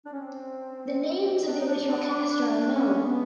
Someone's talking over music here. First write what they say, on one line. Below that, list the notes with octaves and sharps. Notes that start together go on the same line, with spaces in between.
The names of the original cast are unknown.
D4
C#4
C4
D4
D#4
D4
D4
C#4
B3